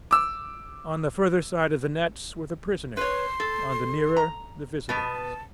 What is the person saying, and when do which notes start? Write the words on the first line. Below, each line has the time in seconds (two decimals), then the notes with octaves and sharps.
On the further side of the nets were the prisoners, on the nearer, the visitors.
0.11 D6 E6
2.97 B4 C#5 C6
3.40 A4
4.16 A#5
4.89 B2 B3 A5